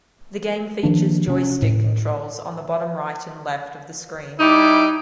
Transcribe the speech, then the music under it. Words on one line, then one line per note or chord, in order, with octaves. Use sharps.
The game features joystick controls on the bottom right and left of the screen.
D#3 F3 A#3 D4
C3 C#4
A2
G3 D#4 E4 D6